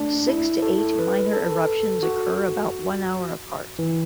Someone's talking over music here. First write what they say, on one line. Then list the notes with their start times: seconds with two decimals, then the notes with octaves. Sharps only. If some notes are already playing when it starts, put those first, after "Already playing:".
Six to eight minor eruptions occur about one hour apart.
Already playing: A3 D4
0.28 E4
0.62 A4
0.99 B4
1.33 A4
2.03 F#4
3.79 E3